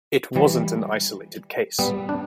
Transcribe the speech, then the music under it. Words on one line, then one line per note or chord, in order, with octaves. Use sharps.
It wasn't an isolated case.
E3 G3
G3 B3
D4